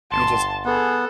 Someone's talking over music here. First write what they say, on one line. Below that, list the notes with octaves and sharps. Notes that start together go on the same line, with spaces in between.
you just
G1 A5 C6
B3 G#4 A4